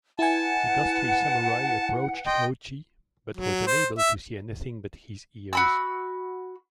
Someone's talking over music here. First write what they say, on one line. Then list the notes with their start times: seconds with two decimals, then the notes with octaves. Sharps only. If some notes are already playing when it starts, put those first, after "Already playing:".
The ghostly samurai approached Hoichi but was unable to see anything but his ears.
0.19 E4 B4 F#5 G#5 A5
2.26 D#5 G5 C6
3.37 F#3
3.67 C5
3.98 E5
5.53 F#4 B5 E6